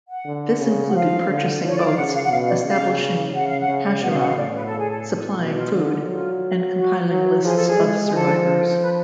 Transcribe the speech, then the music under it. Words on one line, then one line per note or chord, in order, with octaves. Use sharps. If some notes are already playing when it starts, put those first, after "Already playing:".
This included purchasing boats, establishing hachsharot, supplying food and compiling lists of survivors.
F#5
D3
C#3
F#5
F3 F5
D3
F3 C#5
D5
F5
C#3 F#5
F5
F#5
B2 F5
D5
C#3 F5
C#3 F#5
F5
F#5
C#3
B2 F#5
F5
F#5
F5
A2 D5
B4
A4
G#4
A4
F4
B2 F#4
D4
F4
D3
F#3 F4
F#4
F#3
F3 G#4
A4
G#4
G#3
G#4
F3 A4
B4